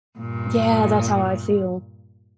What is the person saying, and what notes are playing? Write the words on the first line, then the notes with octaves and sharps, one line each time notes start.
Yeah, that's how I feel.
G2 A#2